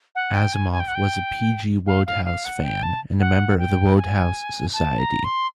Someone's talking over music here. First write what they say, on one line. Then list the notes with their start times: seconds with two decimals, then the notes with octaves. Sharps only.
Asimov was a P. G. Wodehouse fan and a member of the Wodehouse Society.
0.15 F#5
0.35 G5
0.54 G#5
0.72 G#5
0.80 G5
0.88 F#5
0.95 G5
1.87 F5
2.07 F5
2.25 F5
2.45 F#5
2.64 G5
2.83 A5
3.20 F#5
3.59 G5
3.97 G#5
4.73 A5
4.99 A#5
5.24 C6